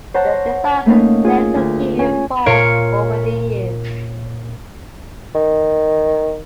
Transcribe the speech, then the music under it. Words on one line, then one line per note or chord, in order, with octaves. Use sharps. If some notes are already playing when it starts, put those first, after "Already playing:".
The design of the dental key evolved over the years.
C5 C#5 F#5 A5 A#5
A3 A#3 C#4 D#4 F5
F4 G#4
D2
C#4 G#5
A#2 F4 A#4 C#5 C#7 D7
D#3